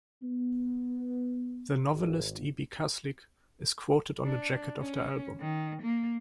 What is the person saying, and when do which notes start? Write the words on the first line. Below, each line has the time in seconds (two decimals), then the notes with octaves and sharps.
The novelist Ibi Kaslik is quoted on the jacket of the album.
0.23 B3
1.92 G#1
4.25 D4
4.81 C#4
5.40 D#3
5.82 A#3